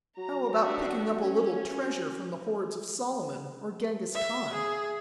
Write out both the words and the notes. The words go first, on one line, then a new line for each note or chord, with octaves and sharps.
How about picking up a little treasure from the hoards of Solomon or Genghis Khan?
F#3 A#5
D4 F#4 G4
C#4
E5
G#4